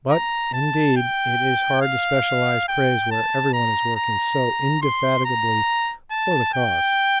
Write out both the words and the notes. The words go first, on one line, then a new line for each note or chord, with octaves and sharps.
But, indeed, it is hard to specialise praise where everyone is working so indefatigably for the cause.
A#5
A5
G5
F5
G5
A5
A#5
A#5
C6
A#5
A5
G5